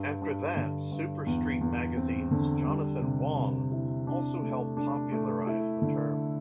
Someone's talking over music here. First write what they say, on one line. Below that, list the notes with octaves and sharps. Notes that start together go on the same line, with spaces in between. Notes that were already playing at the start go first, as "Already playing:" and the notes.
After that Super Street Magazine's Jonathan Wong also helped popularise the term.
Already playing: G2
G2
D3
G2
E2
E2
C4
D3
G3
C3
C3
E4
D4
A3
D4
A3
E4
D3